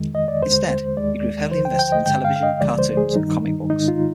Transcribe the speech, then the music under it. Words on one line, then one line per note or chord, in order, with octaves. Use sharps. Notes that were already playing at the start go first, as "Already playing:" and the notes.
Instead, he grew heavily invested in television, cartoons, and comic books.
Already playing: F2 D#3 G#3
D#5
D5
D#2 D3 G#3 C5
D#2 D#3 G#3 D5
D2 D3 F3 C5
G5
G5
D#5
G2 D3 G#3 G5
F5
F5
D#5
D2 D3 F3 G#3 D5
C5
G#4
G2 D#3 G3 D#4
G#2 D#3 G#3 D#4
F4